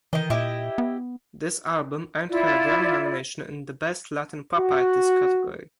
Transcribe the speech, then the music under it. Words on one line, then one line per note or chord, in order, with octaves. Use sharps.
This album earned her a Grammy nomination in the Best Latin Pop artist category.
D#3 E3 D#5
A#2 E4 G4 D#5
B3
E4 F4 D5
F#4